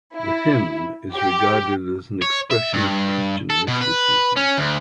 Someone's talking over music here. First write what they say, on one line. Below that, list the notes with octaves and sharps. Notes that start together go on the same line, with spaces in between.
The hymn is regarded as an expression of Christian mysticism.
E4
G4
C#5
E5
G2
A4
B2
B4
C#4
D2